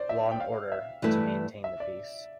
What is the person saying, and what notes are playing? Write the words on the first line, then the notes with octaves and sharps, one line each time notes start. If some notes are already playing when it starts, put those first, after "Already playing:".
Law and order to maintain the peace.
Already playing: C5 D5
E5
G5
F5
E5
G2 E3 A3 E4 B4
E5
D5